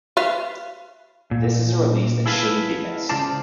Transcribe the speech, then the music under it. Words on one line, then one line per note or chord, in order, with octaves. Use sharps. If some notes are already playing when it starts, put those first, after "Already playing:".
This is a release that shouldn't be missed.
B4 E5 F5
A#2
E4 G#4 A4 B4 F5
C#3 G#3 F4 C5 D5 A5